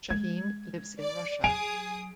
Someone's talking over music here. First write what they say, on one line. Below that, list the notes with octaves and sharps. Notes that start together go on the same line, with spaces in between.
Shaheen lives in Russia.
G#3 G#6
D5
F#3 G#4 G#5 D#6 D7 F7